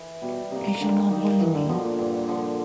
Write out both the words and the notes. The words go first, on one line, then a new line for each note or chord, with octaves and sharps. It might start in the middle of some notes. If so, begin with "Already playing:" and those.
He shall not bully me.
Already playing: E3
B2 G3
C3 A#3 D#4
D3 G3
D#3 A#3 D#4
G2 E3
D3
B2 D3 F3
A#2
G2
D3 F3